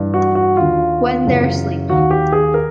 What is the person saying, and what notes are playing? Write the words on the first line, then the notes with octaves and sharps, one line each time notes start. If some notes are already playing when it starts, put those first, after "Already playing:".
When They're Asleep.
Already playing: G2 E3
F#4
F#4
D#2 D3 F4
F#2 C#3 E3
D#2 D#3 F#4
G4
G#4
A#4